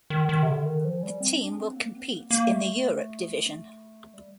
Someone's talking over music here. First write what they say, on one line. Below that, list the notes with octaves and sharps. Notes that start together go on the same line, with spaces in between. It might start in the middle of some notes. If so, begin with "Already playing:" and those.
The team will compete in the Europe division.
D#3
D#3
C3
D3
D#3
F3
G3
C4
D4
C4
A#3
C4
A#3
A#3
A3
G3